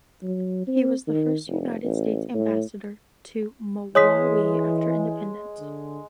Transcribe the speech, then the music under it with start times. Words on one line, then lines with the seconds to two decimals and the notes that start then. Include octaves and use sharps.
He was the first United States Ambassador to Malawi after independence.
0.23 F#3
0.67 C4
1.07 D#3
1.47 F1
1.84 A1
2.34 A2
3.95 E3 G#3 C#5 D#6 B6
5.61 D3